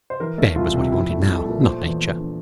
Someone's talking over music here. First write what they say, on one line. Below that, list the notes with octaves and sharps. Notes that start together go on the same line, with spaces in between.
Bed was what he wanted now, not nature.
C5
E3 A#4
A3 A4
C2 F4
C3
F3 E4
A3
C2
A4
A#2
A#4
A3 C5
E2
E2
D3